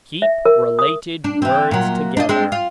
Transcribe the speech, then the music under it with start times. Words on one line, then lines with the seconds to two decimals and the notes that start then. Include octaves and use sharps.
Keep related words together.
0.22 E5
0.45 A#4
0.79 D#6
1.24 D4
1.42 E3 C4
1.71 A#2 F#3
2.17 D4 G4 D#5
2.29 G#3 C4 D4
2.52 F4